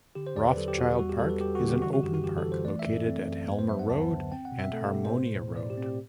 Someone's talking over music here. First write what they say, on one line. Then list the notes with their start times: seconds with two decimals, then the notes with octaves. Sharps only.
Rothchild Park is an open park located at Helmer Road and Harmonia Road.
0.15 D3 G4
0.27 C5
0.36 E2 D5
0.47 B4
0.57 F#3 A4
0.68 G4
0.78 E2 F#4
0.99 G3 F#4
1.10 G4
1.20 G3 A4
1.30 B4
1.40 G3 G4
1.55 F#4
1.61 D3
1.69 G4
1.82 E3 F#4
1.93 F#4
2.03 F#2 G4
2.14 F#4
2.24 E3 G4
2.38 A4
2.45 E3
2.52 C5
2.65 A3 D5
2.79 E5
2.87 F#2
2.93 A4
3.06 C4
3.27 F#2
3.48 B3 B4
3.59 C5
3.69 F#3 E5
3.79 F#5
3.90 D2 A5
4.11 D3
4.32 C4 G5
4.45 F#5
4.52 B2
4.59 E5
4.73 A3 A4
4.84 G4
4.94 B2
5.05 C5
5.15 A2
5.35 A2
5.56 A2 D5
5.70 G4
5.77 C4
5.84 G4